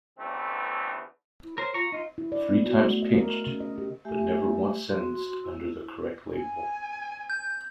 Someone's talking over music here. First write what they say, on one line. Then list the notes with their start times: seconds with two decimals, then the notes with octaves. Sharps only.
Three times pinched, but never once sentenced under the correct label.
0.19 A1 E2 D3 A3 C4
1.44 E4
1.58 A#4 C5 C#5
1.74 F4 A#5 C#6
1.92 D#4 F4 D#5
2.18 E4
2.32 D5
2.49 B3
2.66 F#4
2.85 A3
3.03 D#5
3.18 A#4
3.47 C#3
3.60 D#5
3.78 G4
4.05 A3 G4 E5 G#5
4.89 F#4 C6
5.44 E4
6.36 G#5
7.30 G6